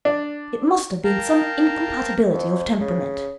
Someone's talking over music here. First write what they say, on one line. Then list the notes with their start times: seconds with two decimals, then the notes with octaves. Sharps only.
It must have been some incompatibility of temperament.
0.05 D4
1.04 A#4 F5 G5 A5 A#5
2.33 F2
2.81 C#3